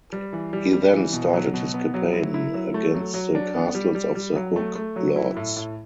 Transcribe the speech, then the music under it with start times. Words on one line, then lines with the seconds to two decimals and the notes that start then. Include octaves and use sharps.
He then started his campaign against the castles of the Hook lords.
0.12 G3
0.33 E3
0.53 G3
0.73 G3
0.93 E3
1.13 B2
1.33 F#3
1.54 B2
1.74 B3
1.94 F#3
2.13 E4
2.34 E4
2.54 F#3
2.74 A3
2.94 F#3
3.14 F#3
3.35 D4
3.54 B3
3.75 G3
3.95 G3
4.15 G3
4.36 F#3
4.56 A3
4.75 A3
4.96 F#3
5.16 E4
5.37 A2
5.57 A2